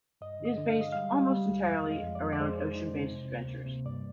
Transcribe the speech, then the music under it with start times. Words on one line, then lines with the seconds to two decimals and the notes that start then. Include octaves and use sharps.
It is based almost entirely around ocean-based adventures.
0.21 G2 D#5
0.40 D3
0.45 D#5
0.57 D3
0.69 F5
0.76 G#3
0.81 D#5
0.92 G3 F5
1.13 G3
1.30 G3
1.48 D2
1.67 F2 F5
1.85 G#3
1.91 D#5
2.03 F2
2.15 D5
2.21 F2
2.33 D5
2.40 G#3 C5
2.58 D#4
2.75 D#4
2.94 C4
3.12 C3
3.31 D2
3.48 A#3
3.66 C3
3.86 G2 D5